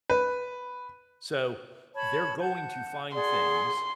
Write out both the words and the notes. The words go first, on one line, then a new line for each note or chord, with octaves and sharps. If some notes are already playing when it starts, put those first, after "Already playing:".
So they're going to find things,
B4
C#5 A5 B5
F#5 A5 G6
G#4 D5 F#5 C6